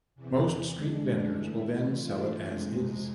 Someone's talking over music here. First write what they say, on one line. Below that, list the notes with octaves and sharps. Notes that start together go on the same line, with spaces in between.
Most street vendors will then sell it as is.
E2 C3 E3
D3 G#3 D4
E3 A3 E4
E3 A3 D4 F4
F2 C3 G#3